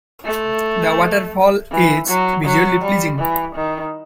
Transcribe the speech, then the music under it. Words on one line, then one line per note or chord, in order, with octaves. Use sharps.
The waterfall is visually pleasing.
A3
E3
F#3
F#3
G3
E3
D#3